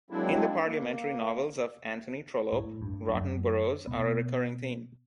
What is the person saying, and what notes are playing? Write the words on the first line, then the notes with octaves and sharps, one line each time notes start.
In the parliamentary novels of Anthony Trollope rotten boroughs are a recurring theme.
F#3 G#3 A#3 C4 D4 E4
A#3
A2
G2
F#2
B2 B3